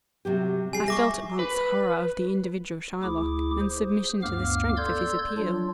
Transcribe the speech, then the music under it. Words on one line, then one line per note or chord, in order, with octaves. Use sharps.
I felt at once horror of the individual Shylock, and submission to the strength of his appeal.
C3 F#3 G4
G3 G#4 G#5 C7
E5 C#6 D6 A#6
B4
D2 E4 G#4 D6
G#4 C5
D2 G2 B3 F5 D6 F6
A4 D5 C6 E6 G6 G#6
F#3 D4 F4